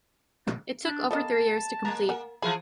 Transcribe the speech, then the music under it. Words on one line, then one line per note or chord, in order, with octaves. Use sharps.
It took over three years to complete.
D4
G3 A#3 B3 A4 D#5 A5
G#3 A#3 A#5
A#4 F#5 G#5
E3 F3 A3 G#4 C5 F5 B5